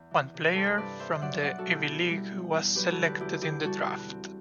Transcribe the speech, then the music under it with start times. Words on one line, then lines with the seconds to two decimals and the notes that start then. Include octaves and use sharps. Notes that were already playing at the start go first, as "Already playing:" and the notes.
One player from the Ivy League was selected in the draft.
Already playing: E2
0.11 E3
0.34 C3
0.53 G2 A4 C5
0.77 G2 B4 D5
0.99 C4 C5 E5
1.22 F#3 D5 F#5
1.43 B2 D5 F#5
1.58 F#4 A4
1.66 B2
1.72 E4 G4
1.88 B3
2.10 G3
2.31 B3
2.54 E2
2.76 F#3 G4 B4
2.90 F#4 A4
2.98 D3
3.05 G4 B4
3.20 E2 E4 G4
3.42 E2 E4 G4
3.64 G3 F#4 A4
3.86 B2
4.08 C4